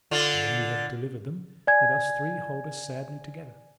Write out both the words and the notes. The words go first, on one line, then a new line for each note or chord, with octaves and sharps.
And when we have delivered them, let us three hold us sadly together.
D3 D4 F4
D5 G#5 G#6